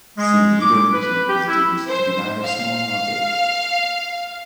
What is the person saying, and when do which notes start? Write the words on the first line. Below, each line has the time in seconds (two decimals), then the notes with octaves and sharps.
Singida region is deemed to be neither small nor big.
0.18 G#3
0.60 D6
0.93 B4
1.29 G4
1.48 E4
1.87 C5
2.44 F5